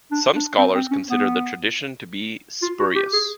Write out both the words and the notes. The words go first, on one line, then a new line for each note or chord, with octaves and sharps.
Some scholars consider the traditions to be spurious.
D4
D4
C4
C4
C#4
B3
F4
F#4
G4
G#4